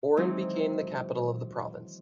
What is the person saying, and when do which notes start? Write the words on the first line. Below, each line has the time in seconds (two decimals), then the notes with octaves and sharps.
Oran became the capital of the province.
0.17 D#3 E3 F#3 G#3 C4 D#4